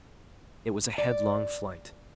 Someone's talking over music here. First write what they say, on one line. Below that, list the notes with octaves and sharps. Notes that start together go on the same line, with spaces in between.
It was a headlong flight.
D5